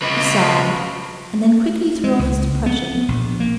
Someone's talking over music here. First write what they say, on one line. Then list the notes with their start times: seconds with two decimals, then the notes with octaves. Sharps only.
He sighed, and then quickly threw off his depression.
0.02 C#3 B4
2.04 G#3
2.19 C#2
2.66 B3
3.08 A#1
3.40 A#3